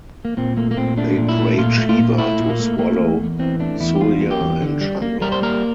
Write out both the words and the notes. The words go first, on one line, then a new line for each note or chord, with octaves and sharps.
They prayed Shiva to swallow Surya and Chandra.
A#3
A#2 C4
A3 A#3
A#3
A#2 C4
A3 D4
A#2
E4
A3
A#2 F4
A3
F4
A#2
A3 E4
A#2
A#3
A3
A3 A#3
E2
E2
E3 C4
A3 D4
E2 E4
G4
G3 F4
A#3
G4
E2
D3
G3
A#3
G3 A#4
C5
A#3 A#4